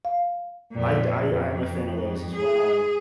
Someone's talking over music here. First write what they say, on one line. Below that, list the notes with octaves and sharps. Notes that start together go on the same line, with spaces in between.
I'd I I am a fan of those as well.
F5
F2 A#2
F2
G#4